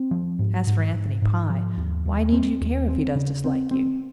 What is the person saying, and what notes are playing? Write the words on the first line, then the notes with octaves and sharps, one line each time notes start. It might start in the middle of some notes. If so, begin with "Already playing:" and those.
As for Anthony Pye, why need you care if he does dislike you?
Already playing: C4
F3
G#2
G#2
G#2
G#2
F3
D#2
D#2
C4
D#2
C4
C#3
C4
C4